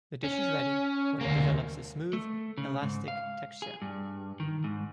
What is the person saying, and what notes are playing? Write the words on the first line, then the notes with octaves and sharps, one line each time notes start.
The dish is ready when it develops a smooth, elastic texture.
C#4
D2 A#3
A3
C#3
G#2
F5
G#4
G2
D#3
G#2